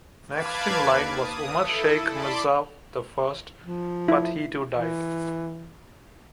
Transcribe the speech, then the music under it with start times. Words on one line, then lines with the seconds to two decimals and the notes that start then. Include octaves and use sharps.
Next in line was Umar Shaikh Mirza I but he too died.
0.31 B4 F5 A5 B5 D6 G#6
0.76 D#2
1.10 D#6
1.56 E4 A4
2.08 D5 A5 B5 C6 D6
3.62 F3
4.08 E4
4.72 E3